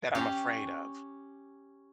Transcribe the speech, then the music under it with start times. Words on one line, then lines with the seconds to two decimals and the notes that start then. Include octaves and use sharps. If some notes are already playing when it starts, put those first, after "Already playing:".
that I'm afraid of.
0.15 C#4 G4